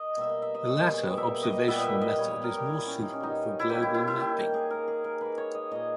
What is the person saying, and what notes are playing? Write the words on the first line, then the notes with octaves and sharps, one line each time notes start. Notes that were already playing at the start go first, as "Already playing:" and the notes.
The latter observational method is more suitable for global mapping.
Already playing: D#5
B2 G3 A#3 E5
D#5
E5
D#5
B2 G3 A#3 C#5
B4
G#4
G4
B2 G3 A#3 E5
D#5
A#2 G3 B3 E5
D#5 E5
D#5
A#2 G3 B3 C#5
B4
A#4
G4
A#2 G3 B3 E4
C#4
D#4
C#4
A#2 G3 B3 D#4
E4
D#3 A#3 G4
E4
E4
E4
D#3 A#3 G4
G#4
D#3 A#3 A#4
G#4
A#4
D#3 A#3 B4
C#5
D#5
A#2 A#3 D#5